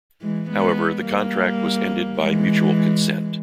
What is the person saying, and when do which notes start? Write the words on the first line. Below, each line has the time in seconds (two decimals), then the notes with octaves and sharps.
However, the contract was ended by "mutual consent".
0.21 E3 G#3
0.50 G#3 B3
1.07 G3 A#3
2.19 E3 G#3